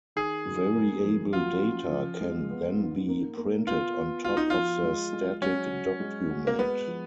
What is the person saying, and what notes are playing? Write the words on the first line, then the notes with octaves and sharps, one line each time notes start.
Variable data can then be printed on top of the static document.
D#3 G#4
F#2
A#3
F3
F#3 F4
C#4
F3
G#3
B3
G#2
A#3
A#3
B3 F4
B3
F4 F#4
D#4
F3 F4
G#3
G#3
F#3 C#4
F#3
G#3
F#4
A#3
G#3 B3
F3